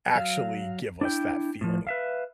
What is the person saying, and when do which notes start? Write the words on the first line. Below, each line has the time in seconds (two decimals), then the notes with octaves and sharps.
actually give us that feeling.
0.15 F#3 F5
1.01 D4 E4 G5
1.61 A2 F3
1.87 B4 E5 F5